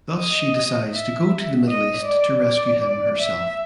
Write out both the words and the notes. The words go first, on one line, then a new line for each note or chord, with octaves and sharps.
Thus she decides to go to the Middle East to rescue him herself.
D#5
E5
D#5
D5
D5
D5
E5